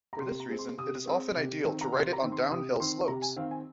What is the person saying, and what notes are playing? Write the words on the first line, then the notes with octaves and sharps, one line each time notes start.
For this reason, it is often ideal to ride it on downhill slopes.
A#5
C3 C6
A#5
G#3 C4
C6
C3 D#6
G#3 C4
C3
D#3 C4
A#5
C3 C6
A#5
D#3 C4
C6
C3 D#6
D#3 C4 C6
C3 A#5
G#5
D#3 C4 F5
G#5